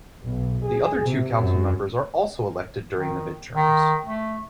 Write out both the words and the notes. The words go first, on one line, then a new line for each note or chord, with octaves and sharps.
The other two council members are also elected during the midterms.
B1
G#4
C3
F#2
D#3
D#3
A3